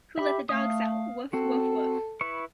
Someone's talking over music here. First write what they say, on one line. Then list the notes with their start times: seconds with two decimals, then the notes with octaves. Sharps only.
Who let the dogs out? Woof, woof, woof.
0.18 G4 E5 B5
0.49 A3 F5 D#6
1.33 C4 F#4 A4
2.21 E4 B4 C#6